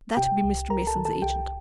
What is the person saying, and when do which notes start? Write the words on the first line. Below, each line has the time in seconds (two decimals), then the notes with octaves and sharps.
That be Mr. Mason's agent.
0.17 C3 G4 G5
0.44 C2
0.69 C2 A#4 A#5
0.87 A4 A5
0.96 D#3
1.05 A4 A5
1.22 C2 G4 G5